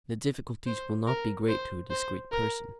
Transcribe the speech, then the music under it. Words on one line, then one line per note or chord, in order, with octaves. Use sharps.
The difficulties will not be great to a discreet person.
C5
A#4
C5
C5
A#4